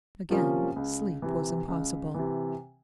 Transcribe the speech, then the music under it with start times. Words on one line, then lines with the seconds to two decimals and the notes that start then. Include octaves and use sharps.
Again sleep was impossible.
0.30 C3 F3 A#3 C#4
0.76 C#2
1.22 C3 E3
1.68 C#2
2.15 C3 E3